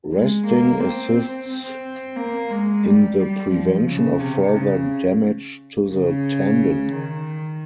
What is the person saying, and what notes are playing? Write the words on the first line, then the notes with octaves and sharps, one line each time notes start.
Resting assists in the prevention of further damage to the tendon.
G#3
A#3
C4
C4
C4
A#3
G#3
G3
G3
F3
C#3
C3
C#3
C#3
D#3